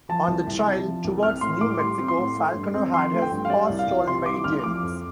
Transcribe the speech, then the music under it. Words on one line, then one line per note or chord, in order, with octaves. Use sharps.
On the trail towards New Mexico, Falconer had his horse stolen by Indians.
F3 A5
C2
C2
C3
F3
C2
C4 F6
A2 C6
A2 D6
G3 C6
C4
C6
A2
A3
G2
C4
F3 C6
A3
G5
G2
F5
G3 D5
C2
F5
C2
C3 C6
G3 D6
C2 F6
F3 D6
F2